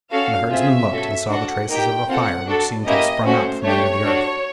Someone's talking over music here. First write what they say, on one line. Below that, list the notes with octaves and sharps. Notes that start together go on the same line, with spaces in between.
And the herdsman looked and saw the traces of a fire, which seemed to have sprung up from under the earth.
C#4 F#4 A4 F5
C4 F4 G#4 E5
C#4 F#4 A4
D4 F#4 A4 F#5
A#3 D#4 G4 G5
C4 F4 A4 F#5
D4 F#4 A4
A#3 C#4 E4 G4 D#5
A3 C#4 F#4 C5
A3 D4 G4 C#5
D4 F#4 A4